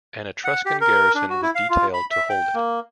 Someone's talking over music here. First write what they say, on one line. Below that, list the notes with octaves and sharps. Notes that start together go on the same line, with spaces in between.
An Etruscan garrison was detailed to hold it.
F#5
G4
A#4
D4
F#4
E4
F5
F4
B5
E5
G5
A#3